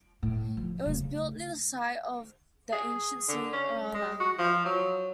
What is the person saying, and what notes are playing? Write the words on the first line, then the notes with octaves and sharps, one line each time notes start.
It was built near the site of the ancient city Erana.
A2
F3
C#3 A3
G#4
D3
C#4
G#3
F#4
F3
F#3